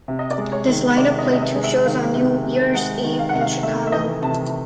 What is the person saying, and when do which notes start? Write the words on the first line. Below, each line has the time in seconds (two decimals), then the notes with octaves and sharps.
This lineup played two shows on New Year's Eve in Chicago.
0.08 C3
0.19 D#5
0.31 D5
0.38 G#3
0.52 C#5
0.67 D#3
0.97 C3 D5
1.19 D#5
1.26 C3
1.33 D#5
1.42 E5
1.56 G#3
1.64 E5
1.85 D#3 F5
2.15 C3
2.44 C3
2.74 G#3 F#5
3.03 D#3
3.19 F5
3.29 C3 F#5
3.41 F5
3.63 A3 E5
3.87 E5
3.92 E3 D#5
4.22 C3 A5